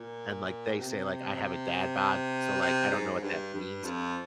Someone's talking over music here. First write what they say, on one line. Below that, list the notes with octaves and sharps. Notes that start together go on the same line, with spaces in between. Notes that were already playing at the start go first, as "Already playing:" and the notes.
and, like, they say, like, I have a dad bod, so, like, I don't know what that means.
Already playing: A#2
C3
C3
G#2
G2
G2
F2